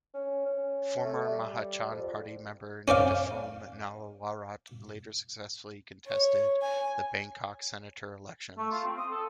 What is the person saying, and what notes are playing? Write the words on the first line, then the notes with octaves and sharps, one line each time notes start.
Former Mahachon Party member Nitiphoom Naowarat later successfully contested the Bangkok Senator elections.
C#4
C#4
A3
G3
F2
C#4 C5 D5 F5
C#5
G#5
A3
F4
C4
D#6
A4